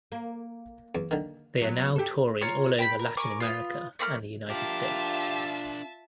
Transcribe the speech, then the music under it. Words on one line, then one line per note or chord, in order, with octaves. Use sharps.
They are now touring all over Latin America and the United States.
A#3
E2
D3 D#3
F#3 B3
G4 A4
F4 C#5 A#5 F6
G5 A#5 B5
A#4
A#4 G#5 C#6 D6
B3 F4
A3 A#3 B5 F6
D4 F4 G4 A#4 E5 A5